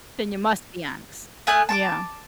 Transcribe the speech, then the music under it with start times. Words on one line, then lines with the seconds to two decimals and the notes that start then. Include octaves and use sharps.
Then you must be honest. Yeah.
1.47 A3 G#5 D#6 F#6
1.69 A5 C#6 D6